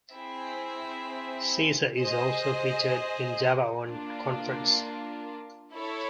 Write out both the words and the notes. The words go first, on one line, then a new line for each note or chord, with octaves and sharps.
Seasar is also featured in JavaOne conference.
C4 E4 G#4 C5 E5
G#4 C5 D#5
A#3 D4 F4
E4 A4 C#5